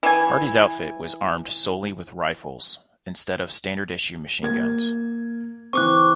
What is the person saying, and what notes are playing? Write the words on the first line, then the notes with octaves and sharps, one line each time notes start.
Hardy's outfit was armed solely with rifles, instead of standard-issue machine guns.
E3 G#5
A#3 G#6
E3 C4 C#6 D6 F#6